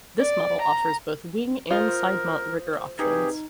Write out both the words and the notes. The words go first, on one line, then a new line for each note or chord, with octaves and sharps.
This model offers both wing and side mount rigger options.
D5
A#5
F4 A#4 C5 D#6
C3 D#4 G4 G#4 B4